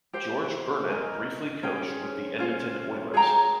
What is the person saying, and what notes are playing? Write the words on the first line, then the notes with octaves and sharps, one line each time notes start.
George Burnett briefly coached with the Edmonton Oilers.
G4 C5 G5
A#4 D#5 G#5
C#4 G#4 C5 G5
C#4 F4 C5
G#4 C#5 G5 A#5